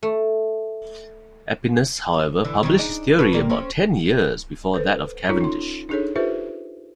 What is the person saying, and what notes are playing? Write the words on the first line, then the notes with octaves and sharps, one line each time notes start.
Aepinus however published his theory about ten years before that of Cavendish.
A3
D3 E3
D#3 G3 C#4
D4 D#4 G#4
F#4 A4 B4
A#2 G3 A#3
C4 C#4
A4 B4 C5
C#4 D#4 F4 A4 C#5
D#4 C6
D4 D#4 G#4 A4 C#5
F4 G4 A4 B4 C5 E5